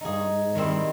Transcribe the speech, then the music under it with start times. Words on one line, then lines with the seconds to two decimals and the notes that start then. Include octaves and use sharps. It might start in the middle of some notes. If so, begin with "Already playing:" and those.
um, when
0.01 D#4 G#4
0.55 D#3 G3 C4 E4